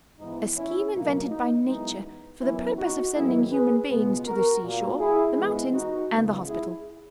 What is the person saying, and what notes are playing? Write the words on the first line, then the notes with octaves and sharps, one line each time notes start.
A scheme invented by Nature for the purpose of sending human beings to the seashore, the mountains and the hospital.
G#2 E3 B3 D#4
C#4 E4
C#2 B2 F#3 A#3
D#4
F#2 E3 G#3 B3 D#4
F#2 E3 B3 C#4 E4
D#4 F#4
G#2 D#3 F#3 B3 E4 G#4
G#4 B4
C#2 B2 G#3 B3
F#4 A#4
A#2 F#3 A#3
E4 G#4
G#2 E3 G#3 B3
D#4 F#4
C#2 C#3 G#3 B3
E4 G#4